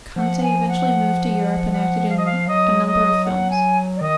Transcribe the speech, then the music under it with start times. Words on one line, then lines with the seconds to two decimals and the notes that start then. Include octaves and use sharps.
Conte eventually moved to Europe and acted in a number of films.
0.16 F3 F#5
0.37 F#5
0.42 G#5
0.68 F#5
1.70 F#5
2.09 F5
2.17 D#5
2.25 F5
2.47 F#3 D#5
2.86 D#5
3.24 F#5
3.50 G#5
3.96 D5
4.01 D#3 D#5